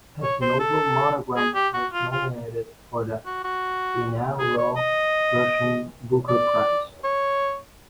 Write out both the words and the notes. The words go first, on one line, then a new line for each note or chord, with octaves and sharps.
His novel "Monogram" was nominated for the inaugural Russian Booker Prize.
C#5
C5
A4
G#4
G4
F#4
F4
F4
F#4
F#4
G#4
C#5
D#5
D5
C#5